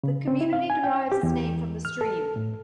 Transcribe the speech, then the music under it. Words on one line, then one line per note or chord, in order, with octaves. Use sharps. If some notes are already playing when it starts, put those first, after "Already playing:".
The community derives its name from the stream.
C#3
C4
E4
F5
G#5
G5
G4
E2
F6
A4
A2